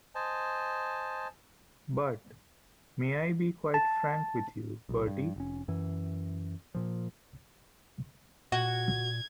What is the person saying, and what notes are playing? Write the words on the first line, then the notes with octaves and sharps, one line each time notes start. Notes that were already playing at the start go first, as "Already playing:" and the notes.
But — may I be quite frank with you, Bertie?
C5 D#5 G#5 A5
A5
B1
G2
F1 C#4
F#2 E3
A#2 F3
A#2 F#4 G#6